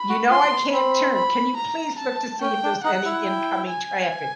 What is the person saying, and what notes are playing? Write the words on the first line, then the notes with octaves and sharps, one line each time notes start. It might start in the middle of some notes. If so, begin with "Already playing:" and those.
you know I can't turn, can you please look to see if there's any incoming traffic?"
Already playing: B5
F#4
F4 C6
B3
C4 B5
B5
A#5
A5
C#4 G5
D4
D#4 F#5
E4
G5
G#5